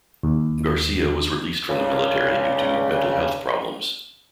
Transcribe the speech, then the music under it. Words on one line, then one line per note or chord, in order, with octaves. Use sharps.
Garcia was released from the military due to "mental health problems".
D#2
C#2 G2 C#3